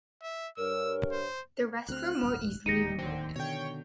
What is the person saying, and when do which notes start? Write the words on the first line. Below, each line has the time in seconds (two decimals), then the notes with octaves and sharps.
The rest were more easily removed.
0.22 E5
0.57 G2 A#4 C#5 E6
1.11 C5
1.89 D2 B3 C4 F6 F#6
2.23 D1 G1
2.66 D1 D#2 D#4 G4 A#6 C#7 D#7
2.99 D3 D#3 C4
3.36 B2 D3 C#5 G5